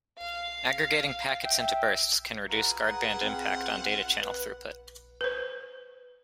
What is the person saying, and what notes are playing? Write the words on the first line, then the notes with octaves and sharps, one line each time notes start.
Aggregating packets into bursts can reduce guardband impact on data channel throughput.
F5
E5 G5
F4 F#4 G#4 B4 F#5 A#5
F4 F#5
C4
B4
B4 C5